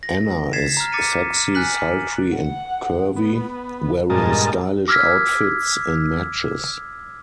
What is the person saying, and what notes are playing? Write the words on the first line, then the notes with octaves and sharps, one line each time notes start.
Anna is sexy, sultry and curvy, wearing stylish outfits in matches.
A#6
G#6 A6 B6 C7 E7
A#5 F6
D6 A6 B6 C#7 D#7
G#5 F6 F#6 B6 F#7
F#5
B3
G2 A#2 G#3 A#4 D#5 A5
D6 E6 F6 G#6 B6